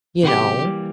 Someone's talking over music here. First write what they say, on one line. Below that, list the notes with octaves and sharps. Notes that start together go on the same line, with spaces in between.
you know?
C3 D#3 F#3 B3 G4
E3 G3 A#3